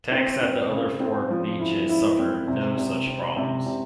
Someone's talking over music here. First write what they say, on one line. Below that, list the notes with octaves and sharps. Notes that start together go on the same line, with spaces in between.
Tanks at the other four beaches suffered no such problems.
C4
C4
C#3
C4
F3
E4
E4
C4
C3
C3
C4
C3
C3